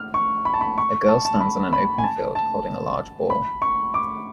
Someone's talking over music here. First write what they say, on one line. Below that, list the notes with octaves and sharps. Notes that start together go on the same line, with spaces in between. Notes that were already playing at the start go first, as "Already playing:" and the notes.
A girl stands on an open field holding a large ball.
Already playing: F6
C#6
B5
A5
B5
C#6
A5
A5
B5
B5
G#5
A5
A5
B5
C#6
D6